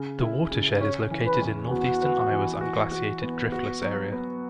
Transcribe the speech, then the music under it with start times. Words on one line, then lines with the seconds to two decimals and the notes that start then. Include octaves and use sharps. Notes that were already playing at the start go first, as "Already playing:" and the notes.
The watershed is located in northeastern Iowa's unglaciated Driftless Area.
Already playing: C#3
0.21 E4
0.51 C#3
0.81 C#4 C#5
1.11 E3
1.27 B4
1.42 E2
1.71 B3 F#4
2.02 B4
2.32 E3
2.61 F#4
2.91 F#4
3.22 B3
3.52 F#4
3.82 F#3
4.12 B3